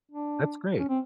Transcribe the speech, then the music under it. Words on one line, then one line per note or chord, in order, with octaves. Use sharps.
That's great.
D4
C#4
C4